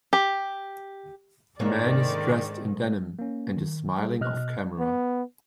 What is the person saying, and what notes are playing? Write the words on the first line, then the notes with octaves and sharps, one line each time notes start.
A man is dressed in denim and is smiling offcamera.
G4
G#2 D3 D#3 A#3 C#4 D5
A#3 C#4
D#3
G3 G#4
B2 D#5 F6 F#6
B3